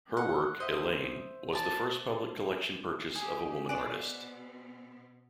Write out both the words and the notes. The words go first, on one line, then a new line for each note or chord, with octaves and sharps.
Her work, "Elaine", was the first public collection purchase of a woman artist.
F#5
C5 D#5 E5
D5 A5
A#3 G4 G#4
B2 B3 C4 B4 D5 G#5 C6